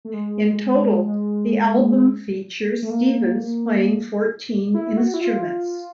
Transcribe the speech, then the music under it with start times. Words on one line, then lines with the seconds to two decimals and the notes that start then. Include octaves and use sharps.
In total the album features Stevens playing fourteen instruments.
0.05 A3
0.14 G#3
1.06 G#3
2.82 A3
2.90 A#3
4.74 E4
4.97 F#4
5.14 E4
5.21 F4